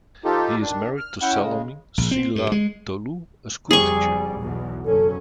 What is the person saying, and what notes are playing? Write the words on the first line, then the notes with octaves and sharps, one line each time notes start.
He is married to Salome Silatolu, a school teacher.
F3 D#4 F4 G4 A4
D#3 D4
F6
C#4 E4 F#5 G5
C#3 G#3
A#1
C4
G2
G#3
F#1 F2 G3 G#4 C#6
B1 E2 B2
F#1 C#4 A4